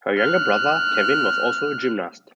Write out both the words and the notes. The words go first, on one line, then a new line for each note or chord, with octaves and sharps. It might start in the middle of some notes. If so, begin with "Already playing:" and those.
Her younger brother, Kevin, was also a gymnast.
F6 F#6